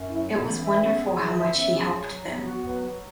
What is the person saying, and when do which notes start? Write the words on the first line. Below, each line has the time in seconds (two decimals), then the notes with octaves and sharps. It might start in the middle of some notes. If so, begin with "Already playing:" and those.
It was wonderful how much he helped them.
Already playing: F#2
0.10 F#3 E4
0.28 B3
0.47 E3 C#4
0.65 E5
0.83 B3 C#4
1.01 G#4
1.19 E3 E4
1.37 E5
1.55 B3 C#4
1.74 G#4
1.92 F#3
2.10 F#3
2.28 B3
2.47 F#4
2.65 F#3 B3
2.84 F#3